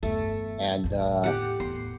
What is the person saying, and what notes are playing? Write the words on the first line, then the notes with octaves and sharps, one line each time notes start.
and, uh
E2 G2 A3
E2 A2
G4 F#5
E2 A2 C6